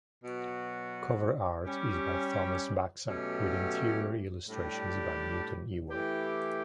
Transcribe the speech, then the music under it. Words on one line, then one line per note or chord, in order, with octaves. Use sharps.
Cover art is by Thomas Baxa, with interior illustrations by Newton Ewell.
B2 F#3 B3 F#4
G3 C#4 G4
B2 F#3 A3 C#4 G4
A2 G3 D4 G4
E3 A3 E4 G4